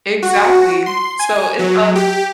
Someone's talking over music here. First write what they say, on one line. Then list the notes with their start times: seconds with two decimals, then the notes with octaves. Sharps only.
Exactly. So it's a
0.23 F#4
0.86 C6
1.19 G#5
1.59 F#3
1.96 G4